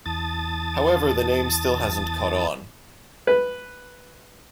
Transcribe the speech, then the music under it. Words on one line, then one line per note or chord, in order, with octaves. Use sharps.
However the name still hasn't caught on.
E2 A5 D#6 A6
B4